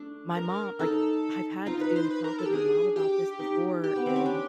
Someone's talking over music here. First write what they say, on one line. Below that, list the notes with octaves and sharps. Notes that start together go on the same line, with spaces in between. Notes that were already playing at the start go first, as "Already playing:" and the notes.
my mom like, I've had to talk with my mom about this before and,
Already playing: A3 D4
A#4
D#4 A4
D#4 F4
B4
C5
B4
A#4
A4
G4
D4 G#4
G4
D#4
G4
B3
C4
C#4
D4